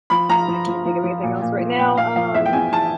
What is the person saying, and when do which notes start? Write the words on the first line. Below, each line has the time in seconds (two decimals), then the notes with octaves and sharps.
I can't think of anything else right now. Um,
0.10 F3 B5
0.29 F3 A#5
0.48 F3
0.67 F3
0.85 F3
1.03 F3
1.23 A#2
1.42 A#2
1.59 F3
1.79 A#2 G5
1.97 A#2 F5
2.16 F3 F5
2.34 E2 E5
2.46 G5
2.53 E2 G#5
2.72 E2 A5